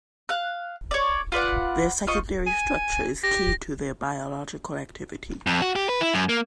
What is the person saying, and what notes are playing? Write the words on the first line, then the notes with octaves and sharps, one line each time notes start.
Their secondary structure is key to their biological activity.
F5 F#6
C#5 D5
F4 B4 D5 F#5
F4 C5 D#5 C#6
G#5
G4 A#6
F2
F#4
G4
B4
E4
F#2
A#3